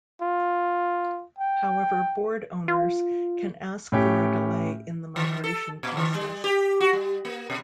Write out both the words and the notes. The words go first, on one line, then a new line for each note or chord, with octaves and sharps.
However, board owners can ask for a delay in the migration process.
F4
G5
F4
A2 C#4 G4
D#3
A4
A#2
D#3
G3
G4
F#4
G3
A#3
B2